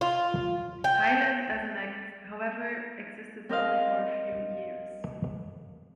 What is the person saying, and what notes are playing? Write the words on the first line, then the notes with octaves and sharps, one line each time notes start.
Highland as an act; however, existed only for a few years.
F4
G5
C4 A#4 D#5 F5